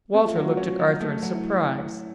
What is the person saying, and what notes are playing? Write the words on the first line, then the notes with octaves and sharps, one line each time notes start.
Walter looked at Arthur in surprise.
A3 C4
F4
F#3 F4
F#4
C#4 F#4
F#3
A3
F#3
E4